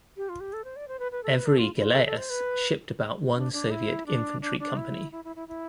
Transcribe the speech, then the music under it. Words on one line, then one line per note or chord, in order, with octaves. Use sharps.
Every galeas shipped about one Soviet infantry company.
G4
F4
G4
A4
C5
D5
C5
B4
B4
A4
B4
A4
F4
E4
F4
A4
A4
C5
B4
D4
D4
E4
D4
D4
D4
E4
E4
E4
E4
E4